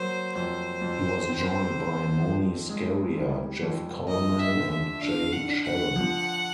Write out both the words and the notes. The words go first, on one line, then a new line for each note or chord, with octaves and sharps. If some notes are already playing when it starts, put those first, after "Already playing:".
He was joined by Moni Scaria, Jeff Kollman and Jay Schellen.
Already playing: F#3 A#3 C5
F2 C5
F2
C4
C4
F3
G#3
G3
F2
F2 D#5
E5
D3
E5
D4 F5
F#5
D4
F#5
F3